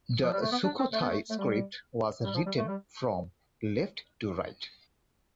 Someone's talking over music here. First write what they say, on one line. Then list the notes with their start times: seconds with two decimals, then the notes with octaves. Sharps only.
The Sukhothai script was written from left to right.
0.22 F3
0.32 G3
0.41 A3
0.51 B3
0.64 D4
0.80 C4
0.93 A3
1.01 B3
1.09 A3
1.30 A3
1.37 G3
2.25 G3
2.35 F3
2.46 G3
2.58 A3
2.68 G3